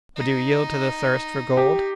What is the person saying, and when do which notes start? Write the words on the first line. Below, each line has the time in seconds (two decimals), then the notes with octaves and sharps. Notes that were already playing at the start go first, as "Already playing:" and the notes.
Would you yield to the thirst for gold?
0.16 D#4
1.57 G4